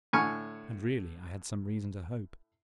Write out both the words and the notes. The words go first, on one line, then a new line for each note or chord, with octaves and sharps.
And really I had some reason to hope.
A2 D3 G#5 C#6 F6